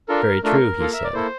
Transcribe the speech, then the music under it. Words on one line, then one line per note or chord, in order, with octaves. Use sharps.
Very true, he said.
D4 F4 A4 A#4
A3 D4 F4 A4 A#4
A#3 F4 A4 F5
E5
D5
A#3 E4 A4 C5